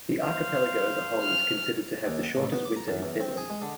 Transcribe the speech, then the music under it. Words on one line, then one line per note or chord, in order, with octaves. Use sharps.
The archipelago as a whole is considered to have the shortest winter in Finland.
C5 F5
F6
D#2
F#5
A1
B3
D6
A#5
F#2
E2
C4
G#4
G#3
D3